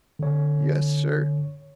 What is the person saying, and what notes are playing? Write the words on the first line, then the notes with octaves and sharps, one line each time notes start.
"Yes, sir."
D3 C#5